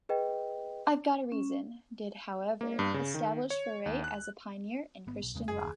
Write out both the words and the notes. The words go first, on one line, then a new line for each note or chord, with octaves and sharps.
"I've Got a Reason" did, however, establish Furay as a pioneer in Christian Rock.
G#4 B4 D#5 G5
C#4
A#3
G2
C#3
D#3
C#5
D#2
F#6
G#1 B3
B1
E2 C#3 G#3
F#1 F#2 G#4
F#1 D#2